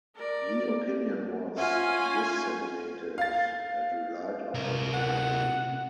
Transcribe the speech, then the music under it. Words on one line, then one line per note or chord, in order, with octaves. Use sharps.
The opinion was disseminated and relied upon widely.
A#4 D5
C#4 F4 E5 F#5 G#5 F6
F5 A6
C3 A#4
F#5